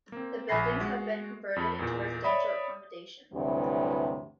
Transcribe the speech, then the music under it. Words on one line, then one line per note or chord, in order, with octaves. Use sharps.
The buildings have been converted into residential accommodation.
A#3 C4
A#1 G#5 B5 A#6 C7
G#3 F#4
F2 B5
E2 A#2
C#5 D5 E5 B5 D#6
D2 G2 C3 E3 F#3